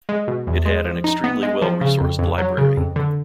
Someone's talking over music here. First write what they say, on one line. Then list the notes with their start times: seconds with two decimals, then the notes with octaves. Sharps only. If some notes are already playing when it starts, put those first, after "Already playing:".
It had an extremely well resourced library.
0.09 G#3
0.28 B2
0.47 E2
0.65 G#3
0.85 F3
1.04 D#4
1.24 B3
1.43 G#3
1.62 F3
1.81 C#3
2.01 F2
2.19 F2
2.38 F#3
2.58 C#3
2.77 F2
2.96 D3